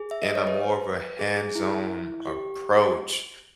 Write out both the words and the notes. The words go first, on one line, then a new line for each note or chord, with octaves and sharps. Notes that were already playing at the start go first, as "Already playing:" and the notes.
in a more of a hands-on approach,
Already playing: G#4
E5
D#5
C#5
B4
G#4
G#4
E4
G4